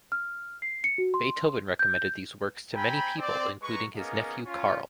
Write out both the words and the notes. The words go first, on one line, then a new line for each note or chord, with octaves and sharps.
Beethoven recommended these works to many people including his nephew Karl.
F6
C7
C#7
F#4
C6
G6
C4 G5 G#5 A#5 B5
C4 D5
G#3 B4 A#5 C#6
A#3 B3 C#4 D#4 G#4 A#4
C#4 F4